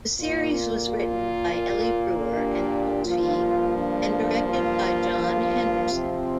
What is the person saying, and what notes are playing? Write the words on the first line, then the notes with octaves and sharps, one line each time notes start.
The series was written by Elly Brewer and Toksvig, and directed by John Henderson.
A#2 A#3 F4
F4
D4 G4
G2 F3 A#3 F4
D4
F4
C3 F3 C4